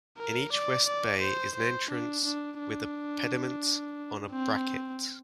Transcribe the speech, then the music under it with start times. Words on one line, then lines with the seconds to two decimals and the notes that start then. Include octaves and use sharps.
In each west bay is an entrance with a pediment on a bracket.
0.17 A#4
0.52 D5
0.86 D5
1.21 C5
1.55 C5
1.90 D4
2.24 D4
2.59 D4
4.31 C4